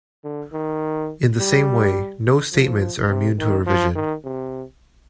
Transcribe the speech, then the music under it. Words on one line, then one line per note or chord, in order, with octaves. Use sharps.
In the same way, no statements are immune to revision.
D3
D#3
G3
F3
C3
D#3
F3
D#3
C3